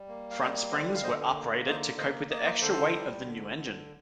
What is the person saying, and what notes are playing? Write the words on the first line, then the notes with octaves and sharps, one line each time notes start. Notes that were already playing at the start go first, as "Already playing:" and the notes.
Front springs were uprated to cope with the extra weight of the new engine.
Already playing: G3
A#3
F5
G3 C5 D#5
D3 C5 D#5
F5
D3 C5 D#5
A#3
D3 C5 D#5
A#3 C5 D#5
A#3 D#5
D5
C5 D#5
D3 A4 C5
G3
D3
D3